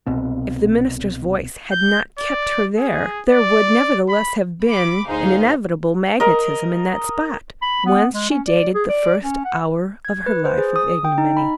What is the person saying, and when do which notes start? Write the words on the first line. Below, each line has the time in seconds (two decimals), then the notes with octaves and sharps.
If the minister's voice had not kept her there, there would, nevertheless, have been an inevitable magnetism in that spot, whence she dated the first hour of her life of ignominy.
0.07 C2 B2 C4
1.72 G6
2.19 D5
2.78 G#4
3.29 D5
4.09 B5
4.67 B5 D6
5.07 D2 D#4 G#4 C5 F5
6.20 A#4 D#5
7.62 B5
7.86 B3
8.14 G#3
8.30 C#4
8.47 D5
8.74 G#4
8.89 D5
9.23 C#4
9.44 F#5
10.05 G#6
10.26 B4
10.45 C5
10.58 G#4
10.76 D#6
11.05 G5
11.18 D#4
11.37 B5